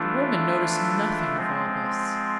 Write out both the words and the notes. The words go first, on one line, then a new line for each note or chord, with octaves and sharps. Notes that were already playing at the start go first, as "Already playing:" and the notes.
The woman noticed nothing of all this.
Already playing: E3 A3 D4 F4
F3 G#3 C4